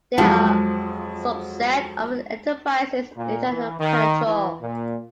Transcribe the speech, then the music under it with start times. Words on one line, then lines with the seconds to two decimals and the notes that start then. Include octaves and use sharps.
They are a subset of an enterprise's internal control.
0.18 F2 F3 F#3 G#3 C4 F4 A5
3.16 A#2
3.47 E3
3.79 D#3
4.25 E3
4.61 A#2